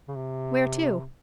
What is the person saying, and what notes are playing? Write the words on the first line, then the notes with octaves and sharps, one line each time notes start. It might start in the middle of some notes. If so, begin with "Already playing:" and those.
"Where to?"
C#3
C3